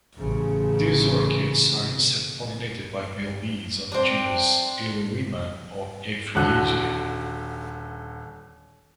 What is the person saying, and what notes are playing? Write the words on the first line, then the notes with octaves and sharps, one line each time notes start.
These orchids are insect pollinated by male bees in the genus "Eulaema" or "Eufriesia".
A1 C#3
C4 D4
D#1 D3 F#4 A4 F#6